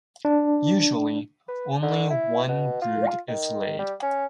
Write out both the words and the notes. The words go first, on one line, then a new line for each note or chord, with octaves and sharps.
Usually, only one brood is laid.
D4
B4
D3
E4
B2
F4
D#3
G3
C#4